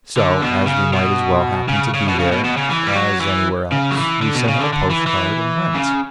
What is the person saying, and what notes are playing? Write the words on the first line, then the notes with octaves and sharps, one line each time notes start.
So as we might as well happen to be there as anywhere else, we sent him a postcard and went.
D3
B2
C#3
B2
C#3
C#3
B2
C#3
B2
B2
C#3
E3
G3
F#3
E3
C#3
F#3
E3
D3
B2
C#3
D3
D3
E3
E3
C#3